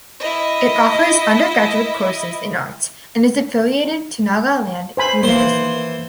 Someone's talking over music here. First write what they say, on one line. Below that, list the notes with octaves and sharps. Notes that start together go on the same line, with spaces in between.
It offers undergraduate courses in arts and is affiliated to Nagaland University.
E4 D#5
C5 G#5 B5
E3 A#3 C5